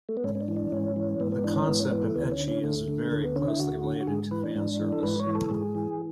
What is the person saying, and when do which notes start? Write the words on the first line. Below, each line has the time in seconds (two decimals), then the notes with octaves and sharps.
The concept of ecchi is very closely related to fan service.
0.09 A3
0.17 B3
0.24 G#2 C#4
0.35 C#4
0.41 D4
0.48 E3
0.56 D4
0.72 G#2 C#4
0.96 E3
1.20 G#2 B3
1.32 B3
1.44 E3 D4
1.56 C#4
1.68 G#2 B3
1.80 C#4
1.92 E3 B3
2.04 A3
2.15 D2 B3
2.28 B3
2.31 C#4
2.40 D3
2.48 C#4
2.64 D2 A3
2.88 D3
3.11 D2 A3
3.24 B3
3.36 D3 C#4
3.48 E4
3.59 D2 F#4
3.84 D3
4.01 F#4
4.07 G#2 G#4
4.31 E3 B4
4.43 D4
4.55 G#2 D4
4.79 E3
4.92 A4
5.03 G#2 B4
5.19 C#5
5.27 E3
5.35 A4
5.51 G#2 G#4
5.75 E3